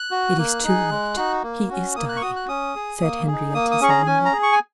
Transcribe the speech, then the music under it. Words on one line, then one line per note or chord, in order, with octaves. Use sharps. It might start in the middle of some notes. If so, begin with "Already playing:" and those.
"It is too late; he is dying!" said Henrietta, solemnly.
Already playing: F#6
F#4
A#3
D#4 G#4
G#3
D#4 F#4
A#3
C#4 F#4
A#3 D#6
F#6
C#6
F#4 D#6
F#6
C#4 D#6
G#4
A#3
D#4 G#4
A#3 D#6
D#6
C#4 G#4 C#6
A#5
C#4 G#5
A#5
G#4
C#6
G#5